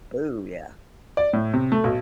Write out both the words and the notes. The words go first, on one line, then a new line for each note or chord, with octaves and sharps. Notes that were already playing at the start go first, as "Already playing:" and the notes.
Ooh, yeah.
D5
A2
C3
A3
B1